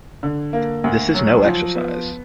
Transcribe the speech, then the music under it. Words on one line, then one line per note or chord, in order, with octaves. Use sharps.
This is no exercise.
D3
A#3
D2
F#3
F3
B3